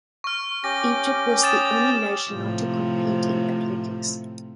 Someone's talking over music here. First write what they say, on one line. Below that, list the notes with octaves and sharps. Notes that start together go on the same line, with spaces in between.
Egypt was the only nation not to compete in athletics.
C#6 F6
C#4 G4 D6 A#6
D#6 A6 E7
A2 C3 F3